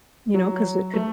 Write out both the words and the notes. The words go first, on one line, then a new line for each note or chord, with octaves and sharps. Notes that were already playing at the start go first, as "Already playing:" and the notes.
You know, 'cause it could
F#3
A3